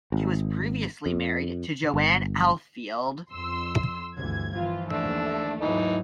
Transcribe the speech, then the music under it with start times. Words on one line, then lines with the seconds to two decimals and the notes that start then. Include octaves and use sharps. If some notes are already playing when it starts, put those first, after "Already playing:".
He was previously married to Joanne Ahlfield.
0.12 G#1
1.06 F2
1.94 G1
3.31 F2 C6 E6
4.17 G1 D2 E3 G#6
4.56 E3 F3 F4
4.91 D#2 A3 D4 E6
5.61 G#2 E3 F#3 D#4